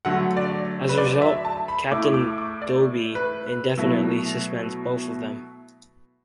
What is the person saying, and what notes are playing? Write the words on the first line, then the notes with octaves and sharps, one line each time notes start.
As a result, Captain Doby indefinitely suspends both of them.
D3 F#3 A3 F#5
D5
B4
D5
E5
A5
B5
A2 A3 E4 D6
D6
D6
D5
B4
B4
B2 F#3 A3 E4